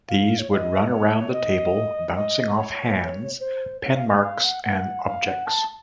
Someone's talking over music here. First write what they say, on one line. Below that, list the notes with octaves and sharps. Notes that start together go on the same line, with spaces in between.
These would run around the table, bouncing off hands, pen marks and objects.
F5
C#5
F5
D#5
C#5
D#5
D#5
C#5
C5
C#5
F5
D#5
F5
F#5
F#5
F5
F#5
A5